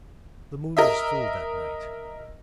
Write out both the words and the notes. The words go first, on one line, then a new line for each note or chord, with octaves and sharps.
The moon was full that night.
A#4 D#5 E5